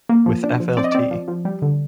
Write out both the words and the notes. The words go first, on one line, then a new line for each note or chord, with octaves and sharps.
With Flt.
A#3
F3
D4
F3
C4 D5
D#5
C4 D5
F3
F3
G3
D3